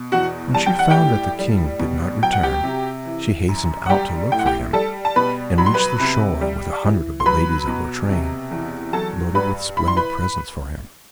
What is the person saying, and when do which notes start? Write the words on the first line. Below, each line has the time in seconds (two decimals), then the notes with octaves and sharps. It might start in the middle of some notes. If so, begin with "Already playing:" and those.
When she found that the King did not return, she hastened out to look for him, and reached the shore, with a hundred of the ladies of her train, loaded with splendid presents for him.
Already playing: B2
0.12 E2 F#4 F#5
0.54 G3 A5
0.66 G5
0.79 F#5
0.90 G4 G5
0.96 A2
1.39 G3
1.80 B2
2.23 F#3 G5
2.33 F#5
2.43 G4 G5
2.64 C3
3.05 E3
3.49 F#2
3.86 F#5
3.89 G3 G4 G5
4.32 A2 G5
4.39 F#5
4.46 G4 G5
4.73 G3 A4 A5
5.05 A5
5.16 B2 B4 B5
5.58 F#3 B5
5.66 C6
5.74 B4 B5
6.00 C3
6.41 G3
6.83 E3
7.20 C6
7.26 F#3 B4 B5
7.68 B2
8.09 C3
8.51 E2
8.93 F#3 A4 A5
9.35 G2 B4 B5
9.77 E3 B5
9.88 C6
9.97 B4 B5